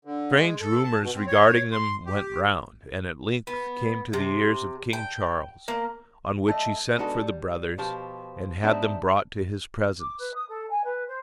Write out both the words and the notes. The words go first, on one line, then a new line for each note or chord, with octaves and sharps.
Strange rumours regarding them went round, and at length came to the ears of King Charles; on which he sent for the brothers, and had them brought to his presence.
D3
G#3
A4
A5
B2
C4
C#5
C6
G4
B3
C3
G5
A#3
A3 D#5
G#3 B3 D4 D#4 F#4 A4
G3
B2 F3 G4 C5
B3 D4 D#4 G4 C5 E5
D6
B4
D#6
A4
G#5
B4
C5